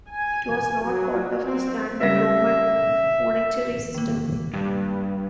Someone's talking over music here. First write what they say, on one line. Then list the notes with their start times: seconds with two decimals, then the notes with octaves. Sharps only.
It was not part of the standard Roman monetary system.
0.10 G#5
0.84 F#3
1.44 C4
2.00 C#3 G3 E5 A#6
3.94 D#3 A#3
4.54 G2